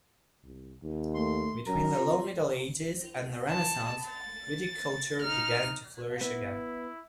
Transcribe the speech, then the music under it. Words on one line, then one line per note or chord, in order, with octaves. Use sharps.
Between the Low Middle Ages and the Renaissance, viticulture began to flourish again.
C2
D#2
A3 C6
F#3 C#4 A#4
C4 F4
A5
A6
D#4 F6
B3 E4